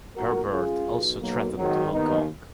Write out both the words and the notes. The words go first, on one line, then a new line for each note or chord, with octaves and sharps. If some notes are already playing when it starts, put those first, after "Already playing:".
Herbert also threatened Hong Kong.
B1 A#2 F#4 A#4
C#2 C#3 F4 G#4
B1 B2
B1 B2 F#3 A#3
G#1 G#2 D#3 F#3
D#2 D#3 B3 D#4